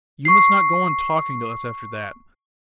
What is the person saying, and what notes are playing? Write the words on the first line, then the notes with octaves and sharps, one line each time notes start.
You must not go on talking to us after that.
C#6 C7